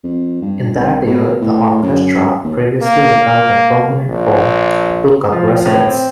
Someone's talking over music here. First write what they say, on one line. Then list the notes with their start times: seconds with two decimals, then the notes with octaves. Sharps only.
In that year the orchestra, previously without a permanent home, took up residence.
0.04 F2
0.42 G2
0.75 C2
1.07 B2
1.41 A2
1.83 F#2
2.44 D#2
2.82 A#3
4.10 A#1
5.32 F3
5.66 A2
5.88 C4